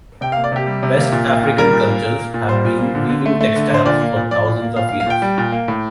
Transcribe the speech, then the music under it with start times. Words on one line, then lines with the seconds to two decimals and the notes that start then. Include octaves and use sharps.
West African cultures have been weaving textiles for thousands of years.
0.21 C3 G5
0.32 F5
0.36 A#3
0.44 D5
0.52 C3 G4
0.67 G3
0.83 C3
0.97 A#3
1.12 A#2
1.27 A#3
1.43 A#2
1.58 G3 A#4
1.73 A#2
1.88 A#3
2.04 A#2
2.19 A#3
2.34 A#2
2.48 G3 C5
2.65 A#2
2.79 A#3
2.95 D3
3.09 D3
3.26 A3
3.41 A3
3.56 D3
3.70 D3 C5
3.86 A#2 D5
4.01 A#3
4.16 A#2
4.31 F3 D5
4.47 A#2
4.62 A#3
4.76 A#2 F5
4.89 F5
4.92 A#3
5.00 F5
5.06 A#2 G5
5.22 G3
5.38 A#2
5.52 A#3
5.68 A2